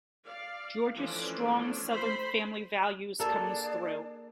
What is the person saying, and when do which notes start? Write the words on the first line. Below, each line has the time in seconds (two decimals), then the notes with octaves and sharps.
George's strong Southern family values come through.
0.25 D5 F5
0.96 E3 F3 A3 C#4 D4
1.88 A3 C5 B5
3.20 A#3 D4 G#4 A4 D5